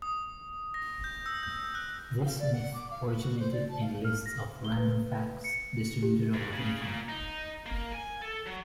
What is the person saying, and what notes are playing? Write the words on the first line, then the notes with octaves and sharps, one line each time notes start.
This myth originated in lists of "Random Facts" distributed over the Internet.
D#6
A#6
G6
E6
G6
F#6
F5
D5
F#5
D6
F5
B4
F#4
C5
D5
A5
F5
F6
A#6
G7
B4
C#7
G4
F2
C#3
A#2
D#4
A#3
G#5
A4
F#3